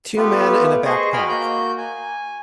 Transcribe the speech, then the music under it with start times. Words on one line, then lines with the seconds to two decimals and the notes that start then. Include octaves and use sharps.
Two men and a backpack.
0.17 A3 B3 F4 G4 B4
0.85 G#4 C5 D#5 C#6
1.13 F#4 D#5 G5 G#5 B5 F6
1.29 A#3 F#4 G6
1.78 G#5